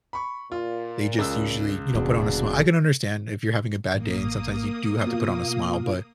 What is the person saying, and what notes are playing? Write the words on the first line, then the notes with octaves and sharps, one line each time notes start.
they just usually, you know, put on a smi I can understand if you're having a bad day and sometimes you do have to put on a smile, but,
B5 C#6
A#2 F4
C#2 E6
D#1 B2 D4 F#4 G#4
A1 A#3 D#6
B2 F4